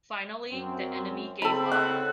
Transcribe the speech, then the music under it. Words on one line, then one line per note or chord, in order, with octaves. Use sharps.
Finally the enemy gave up.
F#2 C4
C#3 C4 A4 B5
F#5